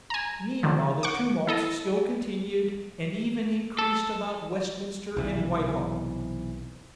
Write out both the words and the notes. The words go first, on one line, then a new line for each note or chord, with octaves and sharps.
Meanwhile the tumults still continued, and even increased about Westminster and Whitehall.
G#5 A#5
D3 D#3 F3
F#5 C#6 D6
E4 A4 D#5
A4
B1 C3 E3